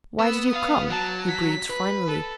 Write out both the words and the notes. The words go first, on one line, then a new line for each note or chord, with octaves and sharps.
"Why did you come?" he breathed finally.
B3 E6
F5 D#6
F#3 A5
B6
B4
A4